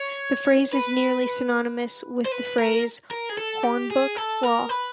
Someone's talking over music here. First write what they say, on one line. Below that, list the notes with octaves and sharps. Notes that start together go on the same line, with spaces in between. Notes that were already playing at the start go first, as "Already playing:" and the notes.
The phrase is nearly synonymous with the phrase "hornbook law".
Already playing: C#5
B4
C5
B4
A#4
A#4
G#4
A4
G4
G#4
A4
A#4
B4